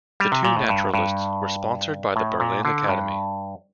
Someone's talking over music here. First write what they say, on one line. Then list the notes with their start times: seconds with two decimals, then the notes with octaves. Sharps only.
The two naturalists were sponsored by the Berlin Academy.
0.20 G3
0.32 C3
0.45 A#2
0.57 A2
0.69 G2
0.94 G2
2.16 A2
2.40 A#2
2.65 D3
2.89 G2